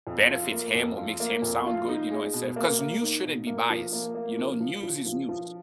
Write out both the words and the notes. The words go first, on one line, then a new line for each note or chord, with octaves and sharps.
benefits him or makes him sound good, you know, instead of 'Cause news shouldn't be biased, you know? News is news,
F2
F4
A#3
F2
F4
A#3
F2
F4
D#4
G#4
B2
A#3
A#3
D#4
B2
A#3
F3
A#3
A#3
F3
F3
F3
F3
F3